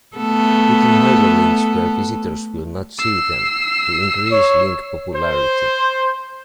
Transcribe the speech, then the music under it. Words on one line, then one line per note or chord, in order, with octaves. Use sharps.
Putting hyperlinks where visitors will not see them to increase link popularity.
A3 B3 A4
E6 C7
C#5
C5